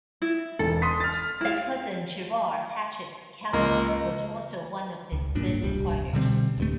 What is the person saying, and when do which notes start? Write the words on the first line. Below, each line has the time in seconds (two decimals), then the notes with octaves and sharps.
His cousin Gerard "Hatchet" Kavanagh was also one of his business partners.
0.22 E4
0.59 E1 A4
0.82 C6 D#6 B6
1.00 F6 A6
1.41 E4 F5
3.53 C#2 A#3 D#5
5.12 C#2
5.35 A1 G2 A#2 D4
5.63 D#1 C2 G3
6.13 B2 D3 G3 C4
6.58 D1 G2 A3